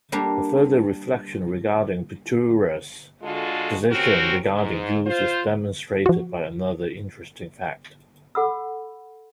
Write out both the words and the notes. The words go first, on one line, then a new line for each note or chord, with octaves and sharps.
A further reflection regarding Petliura's position regarding Jews is demonstrated by another interesting fact.
G3 A#3 D4
D3 G#3 F4 F#4 A4
C4 C#4 F#4 G4 A#4
G#2
F4 C5
F3 F#4
A4 F#5 B5 E6